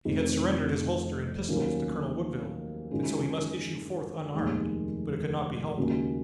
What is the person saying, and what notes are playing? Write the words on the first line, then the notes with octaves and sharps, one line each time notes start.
He had surrendered his holster and pistols to Colonel Woodville, and so he must issue forth unarmed, but it could not be helped.
F1 F2 D#3
D#2 D#3 F#3 A#3 C#4
F#2 D#3 G#3 C#4 F4
F1 D#2 D#3 G#3
D#2 C#3 G#3 C#4 F#4